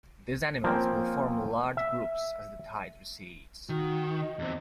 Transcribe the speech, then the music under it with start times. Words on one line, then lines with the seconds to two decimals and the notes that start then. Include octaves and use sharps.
These animals will form large groups as the tide recedes.
0.64 F3 A#3 C4 C#4
1.77 E5
3.69 D#3 F#4
4.20 D#5
4.39 E2 C4